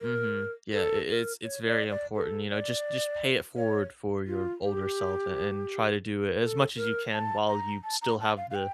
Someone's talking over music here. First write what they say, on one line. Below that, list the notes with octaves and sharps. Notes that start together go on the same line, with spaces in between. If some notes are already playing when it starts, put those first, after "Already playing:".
Mhm. Yeah, I it's it's very important, you know? Just just pay it forward for your older self and and try to do it as much as you can while you still have the
A#4
A4
A#4
C#5
D5
D5
A4
D5
C#5
F4
G4
A4
A#4
A5
A#5
A5
A#5
A5
F5
F5
G5